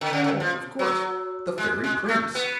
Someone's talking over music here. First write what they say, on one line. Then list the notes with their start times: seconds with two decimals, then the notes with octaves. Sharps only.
Oh, of course, the fairy prince.
0.01 D3
0.13 C#3
0.24 D3
0.40 F3
0.79 F#3
1.58 G#3
1.84 G#3
2.08 A3
2.35 B3